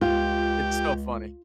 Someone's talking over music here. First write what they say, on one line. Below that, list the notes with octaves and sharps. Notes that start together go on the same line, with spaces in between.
It's so funny.
C#2 F4 G4